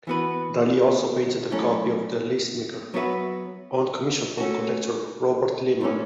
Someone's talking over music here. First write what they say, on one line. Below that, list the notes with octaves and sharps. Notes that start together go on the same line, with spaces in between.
Dali also painted a copy of "The Lacemaker" on commission from collector Robert Lehman.
E3 B3 F#4 B4
F#3 A3 C#4 E4
F#3 B3 F#4 B4 E5
A3 C#4 F#4
A2 A3 C#4